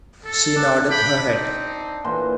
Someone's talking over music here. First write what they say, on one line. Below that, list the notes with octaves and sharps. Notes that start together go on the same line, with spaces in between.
She nodded her head.
A4
D4
F#5 G5 B5
C4 D#4
A#2 E3 C5